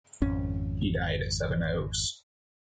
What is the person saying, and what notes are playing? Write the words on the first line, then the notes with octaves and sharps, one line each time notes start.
He died at Sevenoaks.
G#1 F2 C#4